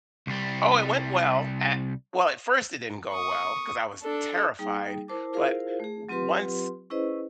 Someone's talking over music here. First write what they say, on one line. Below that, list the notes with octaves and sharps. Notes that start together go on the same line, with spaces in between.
Oh, it went well, a Well, at first, it didn't go well 'cause I was terrified, but once
C2 G3
C#6 D#6
D4 A4
G3 A#3 D#4 G#4 G5
E4 A#4 C5 A5 D6
E4 F4 G#4 A#4 C5 F5
A3 G#4
F#3 C4 F4 G4 B4 C6
C#4 E4 G#4 B4 C5 D#5